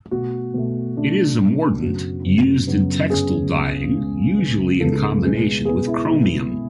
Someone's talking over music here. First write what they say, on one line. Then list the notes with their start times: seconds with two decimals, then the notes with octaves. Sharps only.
It is a mordant used in textile dyeing, usually in combination with chromium.
0.11 B2 A3 F#4
0.54 B2 A3
0.96 B2 A3 D4
1.39 B2 A3
1.82 F#2 C#3 F#3 B3 F#4
2.24 F#2 C#3 F#3 B3
2.67 F#2 C#3 F#3 B3
3.10 F#2 C#3 F#3 B3 G#4
3.52 C#2 C#3 G#3 B3
3.95 C#2 C#3 G#3 B3
4.38 C#2 C#3 G#3 B3
4.80 C#2 C#3 G#3 B3 A4
5.23 B2 G#3 B3
5.65 B2 G#3 B3 G#4
5.87 E4
6.08 B2 G#3 B3
6.50 B2 G#3 B3